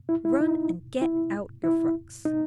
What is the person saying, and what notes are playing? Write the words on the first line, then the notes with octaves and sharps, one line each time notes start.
Run and get out your frocks.'
E4
E4
D#4
E4
E4
D#4